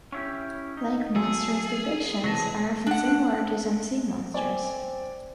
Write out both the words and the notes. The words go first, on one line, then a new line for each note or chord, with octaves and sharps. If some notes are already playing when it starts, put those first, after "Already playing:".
Lake monsters' depictions are often similar to some sea monsters.
C#4 E4 G4
D#4
F#3 G#4 A4
B1 C3 E3 F#3 D#5 A5
D4 F#5
C4 D5 G#5